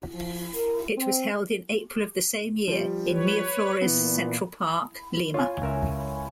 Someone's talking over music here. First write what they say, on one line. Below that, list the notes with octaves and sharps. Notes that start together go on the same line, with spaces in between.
It was held in April of the same year in Miraflores Central Park, Lima.
F3
A#4
C4
F3 G3
B4 C#5
A#2 E3 B3
F4 C#5 F5 G#5
C#2 A#4 E5